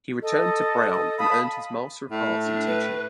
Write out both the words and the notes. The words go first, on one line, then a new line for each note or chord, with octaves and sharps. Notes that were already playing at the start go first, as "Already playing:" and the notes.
He returned to Brown and earned his Master of Arts in Teaching.
A4 D#5
F5 A5 B5 D#6
A2
D4
B4